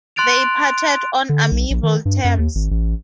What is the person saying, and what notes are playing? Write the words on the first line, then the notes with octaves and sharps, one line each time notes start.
They parted on amiable terms.
C6 F#6 A6 D7 F7
D3
B1
A#1
D#3
G2
F#2
D#2
G#1
A1